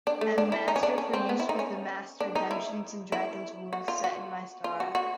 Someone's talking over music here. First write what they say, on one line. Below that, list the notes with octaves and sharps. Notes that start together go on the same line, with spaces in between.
M-Master for use with the Master "Dungeons and Dragons" rules, set in Mystara.
D4
A3
D4
E4
D#4
C#4
D4
C#4
C4
B3
E4
D#4
C#4
D4
D#4
E4
E4
F#4
F4
F#4
F4
F#4
F#4